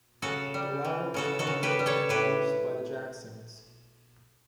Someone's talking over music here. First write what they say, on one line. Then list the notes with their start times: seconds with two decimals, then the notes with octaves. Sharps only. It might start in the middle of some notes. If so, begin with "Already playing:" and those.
The latter was co-written and produced by The Jacksons.
0.22 C#3 F#4 A4
0.54 G3
0.84 E3
1.14 C#3 F#4 A4
1.39 F#4 A4
1.47 C#3
1.63 G4 B4
1.79 G3
1.86 A4 C#5
2.09 A2 G4 B4